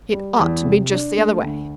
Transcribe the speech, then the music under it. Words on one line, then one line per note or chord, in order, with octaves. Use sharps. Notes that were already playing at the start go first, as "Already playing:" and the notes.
It ought to be just the other way.
G3
E2
C3
D4
A3
D2